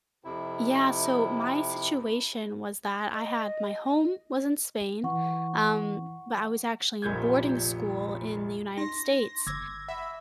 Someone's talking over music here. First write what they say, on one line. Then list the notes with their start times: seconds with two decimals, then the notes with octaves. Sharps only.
Yeah, so my situation was that I had my home was in Spain, um, but I was actually in boarding school in the United States,
0.24 F2 C3 E4
3.14 D#5
5.04 E3 F#5 C#6
7.02 F1 A#1 A#2 G6 G#6
8.77 D#4 C6 A#6
9.47 G1 D6 E6 G#6 A#6
9.88 E5 F#5 B5